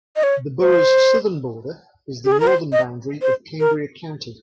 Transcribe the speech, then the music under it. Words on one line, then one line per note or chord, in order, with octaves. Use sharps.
The borough's southern border is the northern boundary of Cambria County.
D#5
C#5
C5
G4
G#4
A#4
C5
D#5
C5
A#4